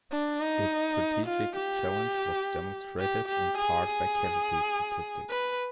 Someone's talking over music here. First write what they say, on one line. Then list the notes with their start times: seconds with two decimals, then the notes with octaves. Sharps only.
Its strategic challenge was demonstrated, in part, by casualty statistics.
0.12 D4
0.41 D#4
1.27 F4
1.56 G4
3.00 G4
3.28 G4
3.58 G#4
3.86 G#4
5.30 B4